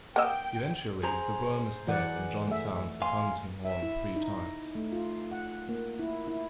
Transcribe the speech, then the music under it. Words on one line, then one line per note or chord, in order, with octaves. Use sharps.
Eventually, the worm is dead and John sounds his hunting horn three times.
A#3 D#5 F#5 G5 E6
G#4 C5 A#5
E3 D5 F#5
A3 E5
F5 G#5 C6
E5
E4
D#4
A3
F4
F#5
A#3
E4
E4